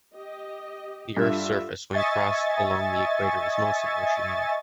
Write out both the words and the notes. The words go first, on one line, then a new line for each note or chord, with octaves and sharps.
The earth’s surface, when crossed along the Equator, is mostly oceanic.
G4 D#5
G2 D3 F4 E5
D#5 E5 G#5 C#6 A6